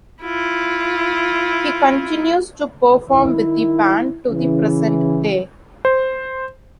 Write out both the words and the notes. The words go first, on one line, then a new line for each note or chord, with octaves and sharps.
He continues to perform with the band to the present day.
E4 F4
D#3 E4
C#3 E3
C5